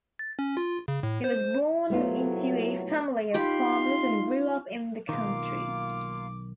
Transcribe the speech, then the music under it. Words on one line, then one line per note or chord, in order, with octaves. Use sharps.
He was born into a family of farmers and grew up in the country.
A6
C#4
F4
C#3
A2
C5
C2 A2 F#3 A3 B3 F4
D#4 F4 G4 B5 C6
B1 D#3 A#3 F4 F5 D6